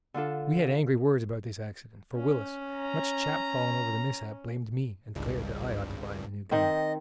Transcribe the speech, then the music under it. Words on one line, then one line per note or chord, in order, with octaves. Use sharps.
We had angry words about this accident, for Willis, much chapfallen over the mishap, blamed me, and declared that I ought to buy him a new gun.
D3 D4 F4 A4
C#4
A#5
G#1 C#2 G2
D#3 C4 D#5